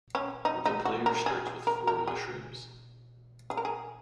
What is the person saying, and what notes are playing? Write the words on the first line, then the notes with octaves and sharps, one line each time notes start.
The player starts with four Mushrooms.
C#4
D#4
D#4
F#4
A#4
G#4
G#4
A#4
A#4
G#4
G#4
A#4
G#4